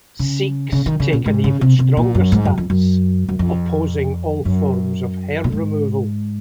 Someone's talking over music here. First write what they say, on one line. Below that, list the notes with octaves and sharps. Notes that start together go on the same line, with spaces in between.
Sikhs take an even stronger stance, opposing all forms of hair removal.
C#3
C#3
D#3
C#3
A#2
G#2
C#3
C3
C3
A#2
F#2
G#2
F#2
F2
F#2
F#2
F2
F#2
A#2
G#2